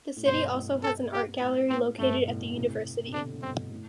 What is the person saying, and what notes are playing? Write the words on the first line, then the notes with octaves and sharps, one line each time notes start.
The city also has an art gallery located at the University.
A2
G2 B2 C5
A2
A4
G4
A2
A2 C4
G2 A3
B2
A2
A2 C3
C3
B2 D3 D4
C3
G2 B2 C4
A2